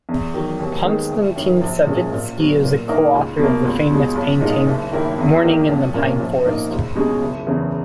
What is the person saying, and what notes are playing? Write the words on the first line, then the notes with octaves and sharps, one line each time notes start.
Konstantin Savitsky is a co-author of the famous painting "Morning in the Pine Forest".
E2
D#3 F#3
D#2
D#3 G#3 B3
F#1
F#2 D#3 F#3
A#1
A#2 G#3 C#4
A#2
F#3 B3
A#2
A#3 D#4
C#2
B2 A#3
C#2
B2 G#3
B1
A#2 G#3 D#4
F#1
F#2 D#3 A#3 E4
E2
D#3 A#3
B1
A#2 A#3 C#4
A#1
A#2 A#3 D#4
C#2
B2 G#3 C#4
F#1
E2 C#3 E3 B3